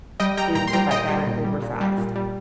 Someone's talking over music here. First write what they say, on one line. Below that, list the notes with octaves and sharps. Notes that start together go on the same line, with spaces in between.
is if I got it oversized,
G3 D#5 G5
G3 G5 A#5
A#2 G5 A#5
C6
G3 G5 A#5
A#2 D#5 G5
G3
A#2
G3
A#2
G3
A#2
G3